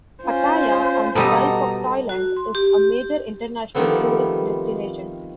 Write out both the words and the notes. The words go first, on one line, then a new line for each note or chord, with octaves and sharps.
Pattaya, on the Gulf of Thailand, is a major international tourist destination.
C#4 F4 C5
B2 G3 A4 D#5 A#5
F#4
C6
G4
D#3 F3 G3 A3 B3 C4